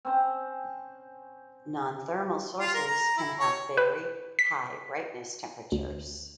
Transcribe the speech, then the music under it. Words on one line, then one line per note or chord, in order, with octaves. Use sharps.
Nonthermal sources can have very high brightness temperatures.
C4 C#4 C5 A#5
F4
A#4
A#5
E4
C#5
B4
B6
D2